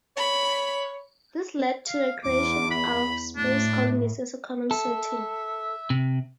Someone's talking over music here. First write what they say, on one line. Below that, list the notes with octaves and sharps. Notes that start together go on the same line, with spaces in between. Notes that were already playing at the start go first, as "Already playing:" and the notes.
This led to the creation of space colonies as a common setting.
C#5 B5
F5
E2 D6
B5
A2 D4
A4 E5
C3